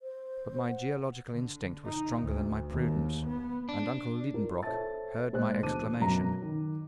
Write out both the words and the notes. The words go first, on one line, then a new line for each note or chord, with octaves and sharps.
But my geological instinct was stronger than my prudence, and uncle Liedenbrock heard my exclamation.
C5
F#5
D3
D#4
D2
D#2
B3
D4
F4 A#4
A4 C5 C#5 E5 A5 A6
A#2 G#3 C5 D#5 F#6
D2 B2 E3 A5 D6 D#7
F#2 B2 F#3 A#5
D#3